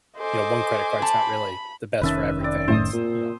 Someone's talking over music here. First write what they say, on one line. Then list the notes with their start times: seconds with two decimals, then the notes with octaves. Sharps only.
you know, one credit card's not really the best for everything. It's, you know
0.18 A4 C5 D#5 G#5 D6
1.02 A5 B5
2.01 F1 D#3 C#4 B4 E5 A5
2.40 C4 D5
2.68 F#2 A2 A3 C5 D#6
2.93 A#2